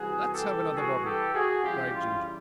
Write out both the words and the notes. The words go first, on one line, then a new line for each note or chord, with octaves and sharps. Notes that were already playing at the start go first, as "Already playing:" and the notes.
"Let's have another bottle," cried Ginger.
Already playing: C3 E3 G3 F#4 G#4
G4 A4
F#4 G#4
G4 A4
F#4 G#4
C#3 E3 G3 F4 G4
F4 G4